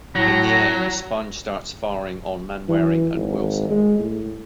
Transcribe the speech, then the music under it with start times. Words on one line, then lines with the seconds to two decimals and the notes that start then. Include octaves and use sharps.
In the end, Sponge starts firing on Mainwaring and Wilson.
0.16 A2 F#3 A#5
2.69 E3
3.15 G#1
3.70 G#3
3.99 A2